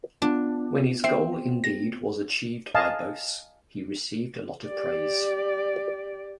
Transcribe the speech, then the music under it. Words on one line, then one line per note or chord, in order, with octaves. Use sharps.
When this goal indeed was achieved by "Bosse", he received a lot of praise.
B3 D4 F4
C4 E5 C7
A#6
D#5 F5 G#5 A5
G4 D5